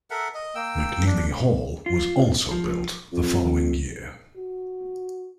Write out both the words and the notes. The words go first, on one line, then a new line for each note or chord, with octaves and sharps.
McNeely Hall was also built the following year.
A4 A#4 E5 F#5
D#5
A#3 G5 E6
D4
F4
F3
F2
F#4